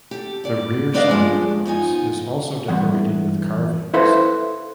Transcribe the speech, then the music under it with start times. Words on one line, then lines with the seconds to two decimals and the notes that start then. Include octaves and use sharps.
The rear side of the cross is also decorated with carvings.
0.11 G4 A4
0.44 B3 D5
0.94 B3 D4 B4 D5 D#5 F5
1.10 F3 G3 G#3 D4
1.65 F3 B3 D#4 G#5
2.68 E2 G2 F#5
3.94 E4 A4 B4 C5 E5 F5